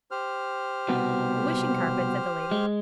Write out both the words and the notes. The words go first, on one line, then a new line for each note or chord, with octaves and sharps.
'The wishing carpet?' said the lady.
G4 C5 F6
C2 B2 B3
G#3